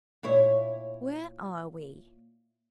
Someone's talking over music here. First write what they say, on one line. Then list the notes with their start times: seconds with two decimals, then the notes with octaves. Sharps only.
'Where are we?
0.23 A#2 E4 C#5